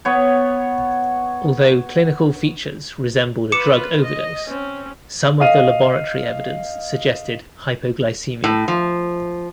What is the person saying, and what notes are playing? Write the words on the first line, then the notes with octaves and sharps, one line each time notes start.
Although clinical features resembled a drug overdose, some of the laboratory evidence suggested hypoglycemia.
B3 C#5
F4 B4 D6 C#7 E7
D#5
C4 C#4
D#5 F5 D#7
A2
F3